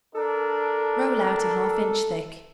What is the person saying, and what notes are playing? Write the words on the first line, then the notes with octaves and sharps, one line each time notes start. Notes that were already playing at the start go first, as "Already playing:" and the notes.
Roll out a half inch thick.
D4 A4 A#4